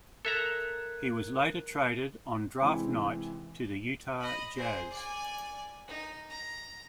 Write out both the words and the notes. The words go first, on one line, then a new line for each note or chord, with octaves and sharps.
He was later traded on draft night to the Utah Jazz.
A4 A#4 E5 A#5 F#6 G#6
C3 E3 G#3 C4 D#4 E4
D#5 B5
G#4 C5
D5 G#5
D#4
A#5